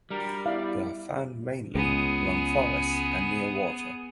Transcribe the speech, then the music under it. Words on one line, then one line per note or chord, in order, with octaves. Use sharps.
They are found mainly along forests and near water.
G3 D4 F#4 A#4
B3 E4 F#4 D5 F5
C#2 B3 G#4